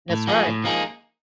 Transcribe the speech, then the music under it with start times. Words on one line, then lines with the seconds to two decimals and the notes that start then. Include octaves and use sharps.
That's right.
0.10 A2
0.27 F3 A#3 D#4 G#4
0.46 A2
0.64 F3 A#3 D#4 G#4